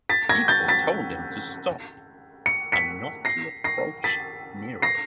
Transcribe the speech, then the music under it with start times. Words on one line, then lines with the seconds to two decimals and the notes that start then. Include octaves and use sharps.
People told him to stop and not to approach nearer.
0.09 A6 B6
0.29 G#6 A#6
0.48 G6 A6
0.68 A6 B6
2.46 C#7
2.72 B6 C#7
3.25 A#6 C7
3.64 A#6 C7
4.04 A6 B6
4.82 A#6 C7